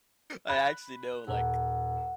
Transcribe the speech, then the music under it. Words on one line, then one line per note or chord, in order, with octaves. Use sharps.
I actually know, like,
B5 F#6
D#1 F#5